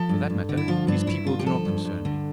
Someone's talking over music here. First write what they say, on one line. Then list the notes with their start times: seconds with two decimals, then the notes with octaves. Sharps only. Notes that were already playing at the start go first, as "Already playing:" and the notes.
For that matter, these people do not concern me.
Already playing: F3 A4
0.09 G2
0.30 G2
0.49 D3
0.57 E4
0.68 F3 F4
0.87 G2 D4
1.07 G2 E4
1.26 D3 F4
1.39 G4
1.46 F3 A4
1.65 G2
1.84 G2
2.05 D3